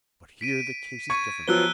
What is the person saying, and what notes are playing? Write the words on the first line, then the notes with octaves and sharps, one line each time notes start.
But here the case is different.
B6 D7 D#7
C#6 G#6 A6 D#7
F3 F#3 B3 E6 F#6 G7